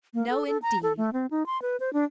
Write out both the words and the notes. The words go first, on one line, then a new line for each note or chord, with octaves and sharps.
No, indeed!
A#3
A4
A4
A#5
A4
A3
C4
D#4
C6
B4
C5
D4